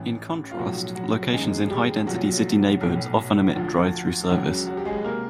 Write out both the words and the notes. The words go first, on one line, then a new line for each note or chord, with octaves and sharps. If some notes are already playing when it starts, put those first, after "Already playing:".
In contrast, locations in high-density city neighborhoods often omit drive-through service.
Already playing: A1 A2 E3
F4
B1 A2 F3 F#3 F#4
F#3 F#4
G1 F#2 D#3 G#3 G#4
G3 G4
B1 A#2 F3 F#3 F#4
B1 A2 E3
D2 D3 F3
C#2 C#3 E3 F#3 F#4
F#3 F#4
G4
G#3 G#4
C3 A#3 A#4